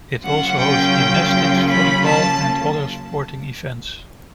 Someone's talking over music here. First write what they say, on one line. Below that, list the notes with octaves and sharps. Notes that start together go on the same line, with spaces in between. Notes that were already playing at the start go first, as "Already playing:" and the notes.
It also hosts gymnastics, volleyball, and other sporting events.
C#3 F#3 A#3 C#4 F4 F#5
G5
B5
A5